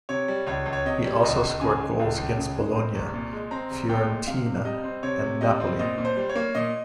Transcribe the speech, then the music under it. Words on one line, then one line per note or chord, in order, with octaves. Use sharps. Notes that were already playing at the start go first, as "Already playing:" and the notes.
He also scored goals against Bologna, Fiorentina and Napoli.
C3 C#5
G3
C#2 C#5
C#2
C#5
C3 D#5
C#5
G3
C#2 D#5
C#2
C#3 G#5
G#3
C#2
C#2
C#3
G#3
C4
C2
A#2
G#3
C4 A#5
C2
A#2 G5
G#3
C3 F5
C3
G3 D#5
C4
C3 C#5
C3
G3 D#5
C4
A#2 D#5
A#2
C5
G3
C#5
A#3
A#2 D#5